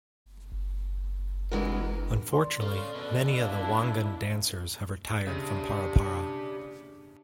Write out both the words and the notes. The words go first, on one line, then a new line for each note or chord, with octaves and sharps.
Unfortunately, many of the wangan dancers have retired from ParaPara.
C3 E3 G#3 D4 F#4 A#4
D5 C6
C#4 A4 F5
B2 D3
D4 E4 F5
C#3 D4 G4 E5